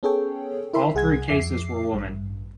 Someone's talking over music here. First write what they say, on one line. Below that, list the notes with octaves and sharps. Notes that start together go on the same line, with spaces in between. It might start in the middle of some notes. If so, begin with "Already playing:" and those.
All three cases were women.
B3 C#4 G#4 A4 C#5 G5
E4 A#4 E5 B5 C6
C2 G#4 F#5 G#5 G#6
F2 E5 D6 C7
A1 G2